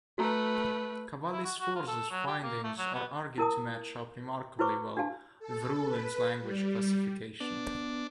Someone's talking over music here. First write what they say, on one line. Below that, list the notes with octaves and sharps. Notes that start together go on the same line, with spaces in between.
Cavalli-Sforza's findings are argued to match up remarkably well with Ruhlen's language classification.
A3 F#4 B4 A#5
E4
F#4
F#4
F4
A4
F#3
G4
A#3
A3
F#3
B3
E4 A#4 A5 D#6
E4 F#4 B4 C5 C#6 D6
D4 F#4 G4 F5 A5
A4
B4
G3
B3 D4